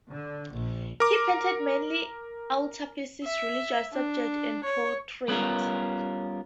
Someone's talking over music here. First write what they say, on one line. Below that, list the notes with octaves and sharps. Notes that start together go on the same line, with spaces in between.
He painted mainly altarpieces, religious subjects and portraits.
D3
A#1
A#4 D6
E5
D4
C#5
G3 B3 C#4 F4 A#4